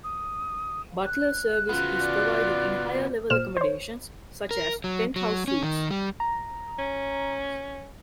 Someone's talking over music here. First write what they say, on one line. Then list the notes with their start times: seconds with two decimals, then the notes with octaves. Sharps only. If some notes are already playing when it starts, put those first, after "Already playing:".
Butler service is provided in higher-level accommodations such as Penthouse Suites.
0.04 D#6
1.04 F#6
1.69 C#3 B3 F4 F#4
2.02 D5
3.30 A#2 C5 F6 E7
3.57 C5 C#5
4.51 A#4
4.84 F#3
5.16 F#3
5.48 C#4
5.63 D#3
5.91 G3
6.20 A#5
6.79 C#4